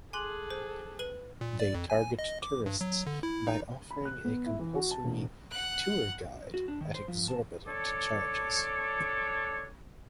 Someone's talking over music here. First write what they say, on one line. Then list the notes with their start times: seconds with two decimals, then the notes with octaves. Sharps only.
They target tourists by offering a compulsory "tour guide" at exorbitant charges.
0.13 G#4 A4 G#5 C6 D6 F#6 F#7
0.50 C5
0.99 B4 D#7 F#7
1.41 A#2
1.60 D5
1.74 F2
1.90 G#5
2.19 D#5
2.42 D6
2.66 G2
2.81 F#3
3.06 D3
3.23 E4
3.47 D#4
3.91 B5
4.05 F#6
4.24 B3
4.46 E4
4.59 E3
4.75 F#4
4.91 A5
5.04 E1
5.51 F#5 F#6
6.54 F#4
6.68 D4
6.81 D#3
6.94 C5
7.08 F3
7.28 A5
7.68 D4 A4 C#5 D6